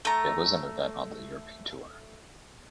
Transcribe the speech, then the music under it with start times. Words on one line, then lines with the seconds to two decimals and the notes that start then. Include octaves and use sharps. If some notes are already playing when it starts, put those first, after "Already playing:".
It was an event on the European Tour.
0.05 A3 A#5